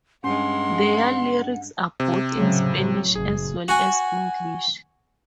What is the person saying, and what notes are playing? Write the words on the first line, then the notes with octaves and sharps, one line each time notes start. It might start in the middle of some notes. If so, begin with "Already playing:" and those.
Their lyrics are both in Spanish as well as English.
G2 G#3 C#4 F#5 C6
C3
A2 C#3 F#3
A2 F#3
F#1 G#4
F#4 G#5